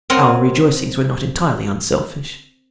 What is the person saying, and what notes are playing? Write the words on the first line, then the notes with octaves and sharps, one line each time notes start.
Our rejoicings were not entirely unselfish.
C4 A#4 C#5 D#5 F#5